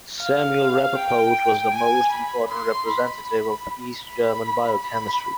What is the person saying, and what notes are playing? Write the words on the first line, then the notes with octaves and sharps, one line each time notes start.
Samuel Rapoport was the most important representative of East German biochemistry.
F5
G5
G#5
B5
C6
B5
B5
B5